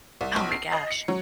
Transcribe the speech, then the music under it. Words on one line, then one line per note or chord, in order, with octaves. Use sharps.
Oh my gosh.
C2
B1
C7
D#5
C#7
F#3